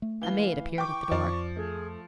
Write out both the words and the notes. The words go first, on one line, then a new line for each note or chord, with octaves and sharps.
A maid appeared at the door.
A3
E3 F5 G7
G5 C#6 D6
F2 F3 D5
A3 G#4